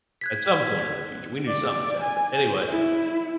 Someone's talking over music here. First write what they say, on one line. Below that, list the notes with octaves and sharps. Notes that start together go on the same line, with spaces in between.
at some point in the future- we knew something has happened. Anyway,
F#6 G#6 B6
D5
G#5
E4